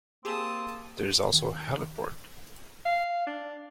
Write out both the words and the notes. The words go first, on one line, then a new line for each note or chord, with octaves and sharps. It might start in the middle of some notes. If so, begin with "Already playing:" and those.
There is also a heliport.
A#3 C4 G4 G#4 A5 D#6 E6
D#2
F5
D4